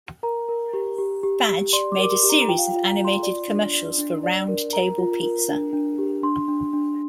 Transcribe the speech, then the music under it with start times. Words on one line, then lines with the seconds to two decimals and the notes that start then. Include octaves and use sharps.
Bagge made a series of animated commercials for Round Table Pizza.
0.23 A#4 A#5
0.49 A#4
0.73 G4
0.98 G4
1.23 G4
1.48 G4
1.73 D5 C6
1.92 D6
1.98 A#4
2.04 D6
2.11 C6
2.23 G4
2.30 A#5
2.42 A#5
2.48 F4 G5
2.59 F5
2.67 G5
2.74 F4
2.85 A#5
2.98 F4
3.05 C6
3.23 D5
3.48 D4
3.73 D5
3.98 D4
4.23 D5
4.48 A#4
4.73 A#4 A#5
4.98 F4
5.23 A#4
5.49 D4
5.73 D4
5.98 G4
6.23 D4 C6
6.48 D4
6.73 D4